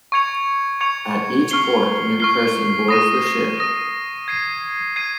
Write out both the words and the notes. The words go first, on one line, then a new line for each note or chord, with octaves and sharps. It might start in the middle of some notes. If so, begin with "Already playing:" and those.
At each port, a new person boards the ship.
C#6 G#6 C#7 F7
C#6 G#6 C#7 F7
C#6 F6 C7 G7
C#6 F6 C7 G7
D#6 A#6 D#7
D#6 A#6 D#7
G#6 C7 D#7
G#6 C7 D#7